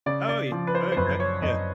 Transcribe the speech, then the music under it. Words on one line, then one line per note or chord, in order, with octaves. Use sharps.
Oh, ye Okay, yeah.
C#3 D5
D5
F3
B4
C5
C5
F#2 B4
C#5
F#2 D#5